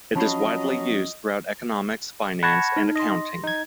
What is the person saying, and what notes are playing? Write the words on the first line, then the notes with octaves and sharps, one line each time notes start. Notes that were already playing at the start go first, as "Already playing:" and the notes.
It is widely used throughout economics, finance, and accounting.
F3 F#3 C#4 F4 D#5 A5 B5 C7
F#5 A5 B5 C#6 G#6 A#6
D#4
D#5 C6 A#6
D#4 G#6